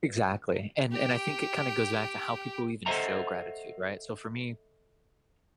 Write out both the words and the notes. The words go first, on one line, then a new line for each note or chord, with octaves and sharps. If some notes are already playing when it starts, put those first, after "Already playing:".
Exactly, and and I think it kinda goes back to how people even show gratitude, right? So for me,
G4 G5
A4 C5 D#5 E5 F#5 A#5